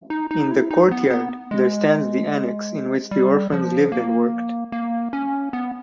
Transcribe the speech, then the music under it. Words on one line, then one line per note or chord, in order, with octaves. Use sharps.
In the "Courtyard" there stands the annex in which the orphans lived and worked.
D#4
D#4
E4
D#4
B3
B3
G#3
G3
F3
A#3
A#3
C#4
B3